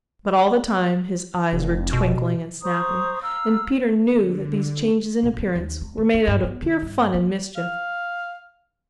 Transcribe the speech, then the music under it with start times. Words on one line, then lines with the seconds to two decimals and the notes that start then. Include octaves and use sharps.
But all the time his eyes were twinkling and snapping, and Peter knew that these changes in appearance were made out of pure fun and mischief.
1.52 F1
1.93 B2
2.63 C5 A#5 C#6 D#6
3.21 F5 A#5 E6
4.05 D3
5.23 A#1
5.38 D3
5.56 D#2
5.81 G#3
5.98 D#3
6.14 D4
6.27 G2
6.44 B3
6.62 D#3
6.82 G2
7.14 A#3
7.56 F5